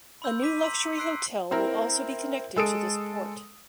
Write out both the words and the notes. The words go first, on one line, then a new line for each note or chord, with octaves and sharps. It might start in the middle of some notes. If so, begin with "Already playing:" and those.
A new luxury hotel will also be connected to this port.
B5 C6 E6 G6
D6 B6 D#7
A#5 C6 E6 B6 F#7
C#7
C6 E6 F#6 C7 D7
C4 E4 A#4
G#3 A4 D#6 D7